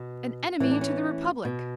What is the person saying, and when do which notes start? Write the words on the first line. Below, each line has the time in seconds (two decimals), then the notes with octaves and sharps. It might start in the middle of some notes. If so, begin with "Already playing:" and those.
"An enemy to the Republic!"
Already playing: B2
0.60 A2 E3 C#4
0.71 D4
0.81 C#4
1.45 B2